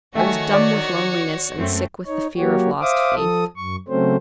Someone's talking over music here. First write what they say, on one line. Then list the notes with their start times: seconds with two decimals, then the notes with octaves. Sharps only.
I was dumb with loneliness and sick with the fear of lost faith.
0.15 D#3 A3 F#4 C#5 G5 G#5
0.53 D5
1.58 F#2 A3 C4
2.06 D#4 C#5
2.37 F#3 A#3 F#4 G4 C#5
2.81 C5 E5 F5 D6 D#6
3.16 F3 A4 D#6
3.56 F#2 C#6
3.88 C#3 F#3 A3 C4 C#4 C5